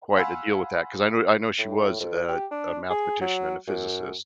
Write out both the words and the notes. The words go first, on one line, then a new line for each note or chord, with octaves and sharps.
quite a deal with that, 'cause I know I know she was a a mathematician and a physicist.
F5 F#5 G#5 B5 C6 E6
A2
F2
G4
D4
G#4
F#3
F#2